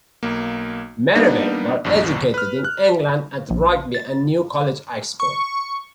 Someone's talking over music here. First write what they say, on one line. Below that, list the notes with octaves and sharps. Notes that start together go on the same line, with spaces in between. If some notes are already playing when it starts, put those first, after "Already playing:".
Merivale was educated in England, at Rugby and New College, Oxford.
B1 A#3
G3 A#3 B3 D4 D#4
A#1 E2 G2
B4 F6
F#6
A#1
A6
C#6